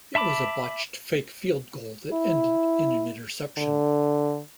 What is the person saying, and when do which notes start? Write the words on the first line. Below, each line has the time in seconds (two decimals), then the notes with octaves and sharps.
It was a botched fake field goal that ended in an interception.
0.15 E5 A5 B5 D6
2.13 E4
3.57 D3